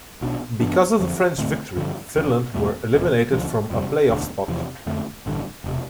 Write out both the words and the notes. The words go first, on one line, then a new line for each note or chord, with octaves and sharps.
Because of the French victory, Finland were eliminated from a playoff spot.
B1 B2 B3 D4
G2 E3 B3 D4
F2 D3 F3
D2 D3 A3 C4
G2 D3 F3
F1 F2 D3
E2 B2 A3
F1 E2 B2
D2 D3 F3
F2 C3 G3
E1 D2 D3
E2 C3 F3
F2 D3 A3
A1 G2 D3
E1 C3